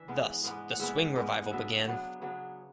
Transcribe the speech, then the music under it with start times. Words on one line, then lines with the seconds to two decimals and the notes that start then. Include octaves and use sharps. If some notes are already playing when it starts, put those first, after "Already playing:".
Thus, the swing revival began.
Already playing: E3 D4 E5
0.08 G#2 G#3 B3
0.44 G#2 G#3 B3
0.72 F#5
0.80 G#2 G#3 B3 E5
1.15 G#2 G#3 B3
1.43 F#5
1.51 C#3 F#3 B3 D4 E5
1.86 C#3 F#3 B3 D4
2.21 C#3 F#3 B3 D4